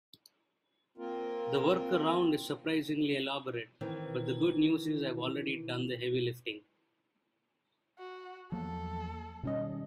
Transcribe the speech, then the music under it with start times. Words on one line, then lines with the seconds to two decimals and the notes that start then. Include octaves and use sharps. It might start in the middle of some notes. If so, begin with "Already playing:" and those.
The workaround is surprisingly elaborate, but the good news is I've already done the heavy lifting.
0.98 A#3 C4 F4 A#4
3.81 D#3 E3 C4
7.98 F#4
8.52 E2 F3 F#3 A#3 A4
9.43 B2 D#3 G3 C#4 D#5